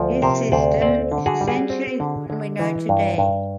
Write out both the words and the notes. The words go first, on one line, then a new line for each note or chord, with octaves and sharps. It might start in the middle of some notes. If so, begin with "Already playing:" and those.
His system is essentially the one we know today.
Already playing: D2 F3
C3 A#4 C5
D2 C5 D5
C4 C5 D5
D3
F#4 G#4
G3
F#4 G#4
C4
D3
D3
E3
G2
G2